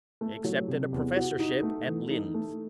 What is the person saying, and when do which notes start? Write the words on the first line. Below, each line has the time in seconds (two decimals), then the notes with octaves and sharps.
Accepted a professorship at Linz.
0.21 A3
0.44 F#3
0.68 C3
0.93 E2
1.17 F#4
1.39 D#4
1.63 A3
1.87 E3
2.10 D#4
2.34 A3